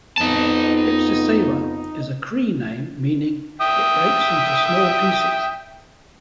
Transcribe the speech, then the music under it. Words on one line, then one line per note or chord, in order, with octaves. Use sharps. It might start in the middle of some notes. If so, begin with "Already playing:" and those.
"Pipsissewa" is a Cree name meaning "It-breaks-into-small-pieces".
F2 B3 D#4 A5
E5 G5 D#6